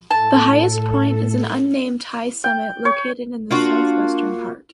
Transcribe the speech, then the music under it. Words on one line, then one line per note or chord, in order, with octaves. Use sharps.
The highest point is an unnamed high summit located in the southwestern part.
A2 A4 A5
G5
C#5
A#3 D4 F4 F#4